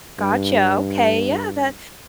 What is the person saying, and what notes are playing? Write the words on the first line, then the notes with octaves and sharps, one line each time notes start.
Gotcha. Okay, yeah! That
G2